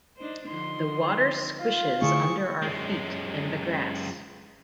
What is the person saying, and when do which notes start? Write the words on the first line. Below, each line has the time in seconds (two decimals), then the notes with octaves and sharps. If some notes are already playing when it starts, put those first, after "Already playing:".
The water squishes under our feet in the grass.
0.17 D4 D#4 C5
0.48 D3 F3 D#4 C6
1.59 F4
2.02 D3 A3 E4 G#4 C#6
2.62 F#2 G#3